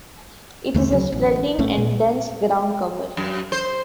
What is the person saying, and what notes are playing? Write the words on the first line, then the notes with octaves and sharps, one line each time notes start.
It is a spreading and dense ground cover.
D#2 D3 A3
D2 C#3 F3 F#3
A1
A#1 A2 A3 C#4
A#2
F#2
C5